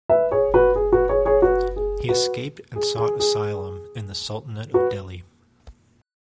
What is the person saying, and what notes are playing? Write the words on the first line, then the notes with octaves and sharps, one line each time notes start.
He escaped and sought asylum in the Sultanate of Delhi.
B4 E5
G#4 C#5
F#4 B4
G#4
F#4 B4
G#4 C#5
G#4 C#5
F#4 B4
G#4
F#4 B4
G#4
G#4
G#4
F#4 B4